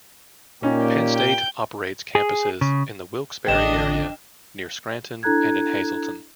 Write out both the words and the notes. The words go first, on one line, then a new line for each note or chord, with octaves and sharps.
Penn State operates campuses in the Wilkes-Barre area, near Scranton and in Hazleton.
A#2 A#3 C#4 D#4 G4
G5 G6
G#4
C#3
A1 D3 D4 D#5 G5 E7
D4 E4 A4 A#5 F#6 G#6